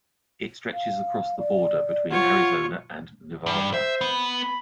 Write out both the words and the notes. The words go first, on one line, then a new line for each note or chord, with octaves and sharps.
It stretches across the border between Arizona and Nevada.
F5
D5
F4 C#5 F#5
G2
C5 E5
B3
B5